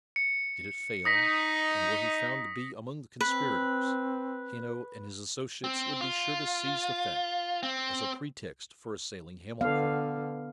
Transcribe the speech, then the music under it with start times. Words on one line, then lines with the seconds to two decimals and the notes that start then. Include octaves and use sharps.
Did it fail, and were he found to be among the conspirators, Hanno and his associates would be sure to seize the fact as a pretext for assailing Hamilcar.
0.16 C#7
1.05 D#4 D#6 A#6 B6
3.21 C4 B4
5.64 C4
6.01 F4
7.63 C4
9.61 D3 B3 F5